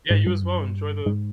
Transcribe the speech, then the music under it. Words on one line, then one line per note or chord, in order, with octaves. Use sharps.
Yeah, you as well. Enjoy the
G#2
G2
F#2
G2
G#2